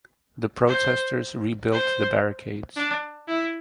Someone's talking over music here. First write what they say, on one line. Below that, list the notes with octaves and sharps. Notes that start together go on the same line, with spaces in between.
The protestors rebuilt the barricades.
C5
C5
D4
E4